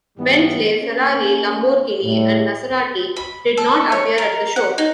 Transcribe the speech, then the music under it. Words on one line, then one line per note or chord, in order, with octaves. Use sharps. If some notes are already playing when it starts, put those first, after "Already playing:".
Bentley, Ferrari, Lamborghini, and Maserati did not appear at the show.
G#2 E3 G3 B3
A#3 C#4
A2 G3
B5
A4
C#5
A#4
F#5
D#4